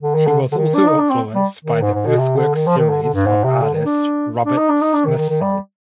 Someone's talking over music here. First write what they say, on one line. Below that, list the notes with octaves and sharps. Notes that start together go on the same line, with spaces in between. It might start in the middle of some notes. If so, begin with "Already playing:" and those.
She was also influenced by the earthworks series of artist Robert Smithson.
D3
D#3
D3
D3
D#3
D4
D#4
D4
C4
G3
D#3
G#2
G#2
B2
C3
D3
D#3
F3
D#3
D3
D3
G2
G#2
C3
D3
D#3
D4
D4
D#4
D4
D#4
D4
D#3
D#3
D#3
G3